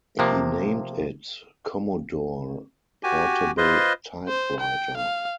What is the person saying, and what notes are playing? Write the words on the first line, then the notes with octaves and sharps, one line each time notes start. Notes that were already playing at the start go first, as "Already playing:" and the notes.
He named it Commodore Portable Typewriter.
C3 F3 A#3
F#4 G4 G#5
F4 B4 C5 D#5 C6
C5
G5
F5